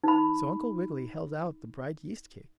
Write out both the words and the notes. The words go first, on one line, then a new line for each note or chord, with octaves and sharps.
So Uncle Wiggily held out the bright yeast cake.
D#4 B5